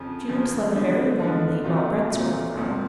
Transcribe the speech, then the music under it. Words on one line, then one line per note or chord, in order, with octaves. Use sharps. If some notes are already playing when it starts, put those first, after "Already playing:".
She looks like a very womanly, well-bred sort of girl.
Already playing: F2 C#3 F3
F2 C#3 F3
D3 F3 G#3 B3 D4
D3 F3 G#3 B3 D4
A#2 F#3 A3 C4 F4
A#2 F#3 A3 C4 F4
C#2 C3 F3 A#3